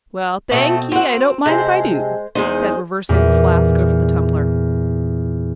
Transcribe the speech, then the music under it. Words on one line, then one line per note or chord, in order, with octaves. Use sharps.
"Well, thank ye, I don't mind if I do," he said, reversing the flask over the tumbler.
B2 A3 C4
C4 F#4 F#5
C3 G#3 G4 A4 C5
E2 G#3 D#4 G#4 C5
E2 A#2